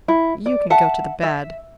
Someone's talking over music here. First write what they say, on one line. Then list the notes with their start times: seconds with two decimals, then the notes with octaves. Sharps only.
You can go to the bad.
0.08 E4
0.46 D5
0.70 E5 F#5 A5
1.23 E5